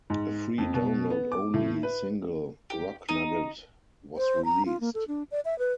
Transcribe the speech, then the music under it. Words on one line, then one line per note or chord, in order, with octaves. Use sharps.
A free download-only single "Rock Nugget" was released.
G#2
F2
B2
B3
D6
A2
B4
G4
D#4
C5
A#5
F4
A#3
A4
D4
D5
E5
B4